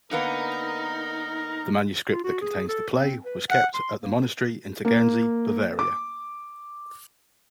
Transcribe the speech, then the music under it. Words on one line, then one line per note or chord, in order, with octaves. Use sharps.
The manuscript that contains the play was kept at the monastery in Tegernsee, Bavaria.
D3 A#3 B3 D#4 A#4
F4
F#4
G#4
A4
C4
B4
F#5
C6
A#3
A#3
D6